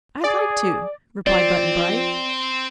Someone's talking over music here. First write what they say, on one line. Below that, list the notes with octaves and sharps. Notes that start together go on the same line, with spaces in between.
"I'd like to," replied Button-Bright.
G#4 D5
F3 C4 D5